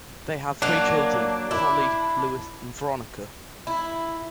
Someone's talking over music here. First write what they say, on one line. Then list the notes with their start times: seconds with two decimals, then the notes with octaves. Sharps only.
They had three children: Colley, Lewis and Veronica.
0.62 F#3 A#3 D4
1.51 E4
3.67 E4